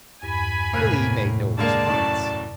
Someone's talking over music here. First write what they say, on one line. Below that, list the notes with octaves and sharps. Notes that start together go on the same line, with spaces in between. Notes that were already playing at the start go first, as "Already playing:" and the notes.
Billy made no response.
E2 G2 G#5 B5
A2 C3 A#3 F#6 D#7
D3 G#3 A#3 D5 A5
F#2 A2